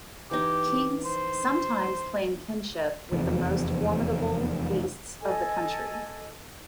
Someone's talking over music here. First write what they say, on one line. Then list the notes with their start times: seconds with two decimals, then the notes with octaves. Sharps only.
Kings sometimes claim kinship with the most formidable beasts of the country.
0.31 E3 D#4 G4
1.05 C5
3.12 F1 E2 F3
5.21 A4 D#5 G#5